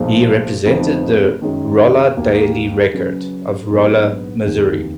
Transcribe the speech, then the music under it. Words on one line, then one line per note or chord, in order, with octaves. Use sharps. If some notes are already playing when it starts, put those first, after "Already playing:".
He represented the "Rolla Daily Record" of Rolla, Missouri.
Already playing: B1 A#2 F3 G#3
F1 F2 F3 B3 D#4
F#2 D#3 G#3 C#4
D#2 D#3 A#3
C#3 F#3 C#4 G#4 B4
A#1 G#2 F#3 B3
F1 D#2 D#3